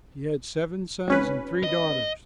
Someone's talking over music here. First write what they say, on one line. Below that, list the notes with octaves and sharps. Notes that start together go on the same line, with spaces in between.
He had seven sons and three daughters.
G#1 C#4 B4
D#5